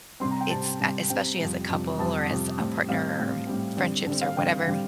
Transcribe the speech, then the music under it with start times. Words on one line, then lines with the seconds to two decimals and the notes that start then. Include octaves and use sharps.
It's uh, especially as a couple, or as a partner, or friendships, or whatever,
0.20 C3 G3 C4 C6
0.31 A#5
0.40 G5
0.50 C3 G3 C4 A5
0.80 C3 G3 C4
1.10 C3 G3 C4 G5
1.40 F2 C3 G3
1.69 F2 C3 G3
1.99 F2 C3 G3 A5
2.29 F2 C3 G3
2.58 A2 G3 C4
2.89 A2 G3 C4 F5
3.18 A2 G3 C4
3.47 A2 G3 C4
3.77 D3 G3 C4
4.07 D3 G3 C4
4.21 F5
4.37 D3 G3 C4 G5
4.66 D3 G3 C4